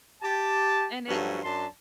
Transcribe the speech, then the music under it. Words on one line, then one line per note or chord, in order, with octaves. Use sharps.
And it's
G4 A5
G2 F3 F#3 A3 C#4 F#4
F#2 D4 A5 C6